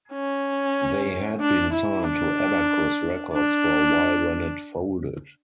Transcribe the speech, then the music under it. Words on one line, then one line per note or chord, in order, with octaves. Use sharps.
They had been signed to Abacus Records for a while when it folded.
C#4
D4
E4
D4
D4